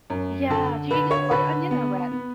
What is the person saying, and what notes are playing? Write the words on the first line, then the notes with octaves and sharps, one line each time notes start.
Yeah, do you use white onion or red?
F#2
D3 A4 A5
D3 B4 B5
C#5 C#6
D3 B4 B5
B3
B3